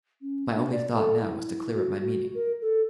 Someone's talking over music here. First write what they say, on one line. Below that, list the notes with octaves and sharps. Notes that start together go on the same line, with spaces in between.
My only thought now was to clear up my meaning.
C#4
D4
D5
A4
E4
F#4
F#4
A#4
A4